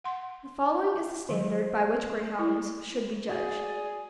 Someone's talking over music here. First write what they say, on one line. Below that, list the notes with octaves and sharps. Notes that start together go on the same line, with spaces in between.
The following is the standard by which Greyhounds should be judged.
F#5 C6
D#3 F#3
E4
F#4 G#4 D5